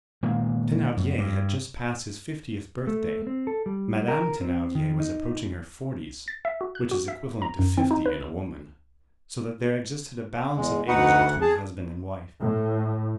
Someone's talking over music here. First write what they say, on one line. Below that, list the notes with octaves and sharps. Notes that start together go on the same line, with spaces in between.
Thenardier had just passed his fiftieth birthday; Madame Thenardier was approaching her forties, which is equivalent to fifty in a woman; so that there existed a balance of age between husband and wife.
A#2 D#3 G#3
F#2
G2
A3
C4
A4
G3
A#4
C4
D#3
D#4
A6
E5
F#4
F#6
F#4
E5
A#5
F#2
C4
D#4
B4
E2 G#3
D2 D#4 F#4 B4 F#5
G#4 A5
A2